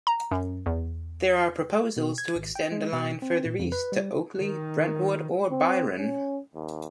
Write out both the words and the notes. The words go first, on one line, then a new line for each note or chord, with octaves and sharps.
There are proposals to extend the line further east to Oakley, Brentwood, or Byron.
A#5
F#2
E2
B2
G#6
G#1
G5
G#3
B2
C4
A#2
F2
B4
G3
D#3
C4
C#4
D#2